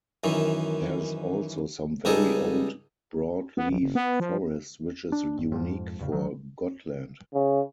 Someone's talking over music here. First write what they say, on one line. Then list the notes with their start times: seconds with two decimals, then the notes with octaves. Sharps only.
There is also some very old broadleaf forest, which is unique for Gotland.
0.24 F#2 D#3 E3
2.05 C#2 G3 D#4 G#4 A4
3.57 B3
3.69 A#1
3.81 F#1
3.95 B3
4.20 F3
5.12 D4
5.37 G1
5.52 F2 G#2 F3
5.99 A1 E2 C#3
6.11 B1 D#3 F#3
7.34 C#3